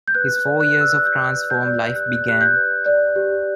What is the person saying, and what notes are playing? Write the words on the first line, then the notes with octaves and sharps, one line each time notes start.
His four years of "transform" life began.
G6
B4 F#6
D5
F#6
G4
E6
F#6
G4 G6
B4
G6
D5
G4 F#6
G4 F#6
G6
B4
D5
G4